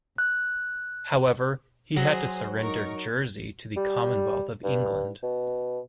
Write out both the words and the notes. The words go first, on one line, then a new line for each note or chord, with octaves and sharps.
However, he had to surrender Jersey to the Commonwealth of England.
F#6
F#3 G#4 C5
D#4 A#4 C#6
G3
G2
B2